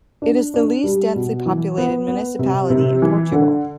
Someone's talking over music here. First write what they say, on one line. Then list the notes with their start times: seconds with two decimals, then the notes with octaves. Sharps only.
It is the least densely populated municipality in Portugal.
0.22 D4
0.54 D4
0.84 G3
1.16 B2
1.46 E3
1.78 B3
2.08 B3
2.39 C3
2.70 C3
3.02 E3
3.32 D3